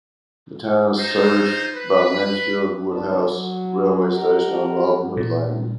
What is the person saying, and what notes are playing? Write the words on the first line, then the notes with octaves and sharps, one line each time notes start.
The town is served by Mansfield Woodhouse railway station, on the Robin Hood Line.
D#4 F4 C5
B4
F#1 B1 D#4 B4 D5 A5
F#3 F#4
G4 A#4 D#5 F#5
A#2